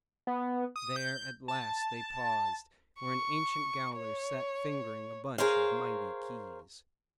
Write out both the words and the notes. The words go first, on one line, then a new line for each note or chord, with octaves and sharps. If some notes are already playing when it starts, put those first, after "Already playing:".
There at last they paused, where an ancient gaoler sat fingering a bunch of mighty keys.
B3
D#6
G6
A5
C#6
C#5
G#4 A#4 C5 C#5 F5